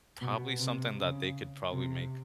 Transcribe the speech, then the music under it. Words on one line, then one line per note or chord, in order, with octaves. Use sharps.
probably something that they could probably make
B2
C3
C#3
C3